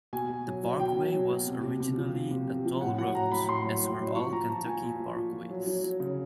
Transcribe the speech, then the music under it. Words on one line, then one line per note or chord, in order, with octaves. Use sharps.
The parkway was originally a toll road, as were all Kentucky parkways.
B2 G#5
B2
F#3
F#3
B2 G5
F#3
F#3
B2
C3
C3
C3
F3
F3
C3
C3
F3
A2 F#5
F#3 F#5
F#3 A#5
A2 B5
A2 C6
F#3
A2
F#3
F3 C#6
F3 A#5
F3 A5
F3 G#5
A#2
F3
A#2
F3
F#3
F#3
F#3
C#3